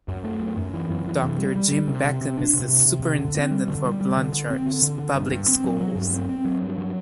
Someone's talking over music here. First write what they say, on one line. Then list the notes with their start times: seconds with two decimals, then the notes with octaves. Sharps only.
Doctor Jim Beckham is the Superintendent for Blanchard Public Schools.
0.08 F#2
0.24 A3
0.41 F#2
0.57 F#2
0.73 E3
0.90 F#2
1.07 E3
1.23 C3
1.38 G3
1.56 G3
1.72 G3
1.88 C3
2.04 C3
2.21 C3
2.37 D4
2.54 C3
2.69 C3
2.86 C3
3.02 C3
3.19 D3
3.34 C4
3.51 G3
3.68 D3
3.84 G3
4.01 G3
4.17 D3
4.33 D3
4.50 C4
4.66 D3
4.82 D3
4.99 D3
5.15 G2
5.31 G2
5.48 C4
5.64 F#3
5.81 F#3
5.96 G2
6.13 C4
6.29 C4
6.45 F#3
6.62 G2
6.78 F#3